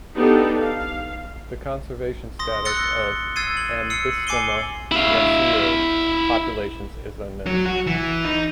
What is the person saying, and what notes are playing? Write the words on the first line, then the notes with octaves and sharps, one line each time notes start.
The conservation status of "Ambystoma gracile" populations is unknown.
B3 D4 D#4 G4 A4 A5
F5
C6 D#6 A#6
E6 F#6 A6 A#6 C#7 G7
E6 G#6 A6 C7 D#7
F#7
E6 C7 C#7 F#7
G#5 D6 C7 C#7 D#7 G7
E4 F5
F#3
F#4
E3
D#4